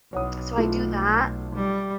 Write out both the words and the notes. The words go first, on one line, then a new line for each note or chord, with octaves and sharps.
so I do that.
B1 C#5 F#5 D#6
A3 F4
G3